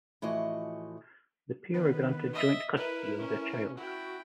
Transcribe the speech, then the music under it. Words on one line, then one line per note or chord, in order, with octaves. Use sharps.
The pair were granted joint custody of their child.
A2 E3 F3 F#4 D#5
D#3 B3 B4
D#5 E5
E4 A#4 B4
C#4
E4 F#4 G5